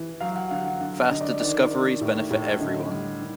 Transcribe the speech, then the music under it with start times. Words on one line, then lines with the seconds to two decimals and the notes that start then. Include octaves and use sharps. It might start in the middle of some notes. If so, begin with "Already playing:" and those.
Faster discoveries benefit everyone.
Already playing: E3
0.20 F#3 F5
0.36 F#5
0.50 D3 F5
0.66 F#5
0.80 D3 F5
1.01 D#5
1.11 D3
1.21 D5
1.40 D#3 D5
1.71 D#3
2.01 A2
2.31 A2
2.60 D3 D#5
2.90 G3
3.20 D#3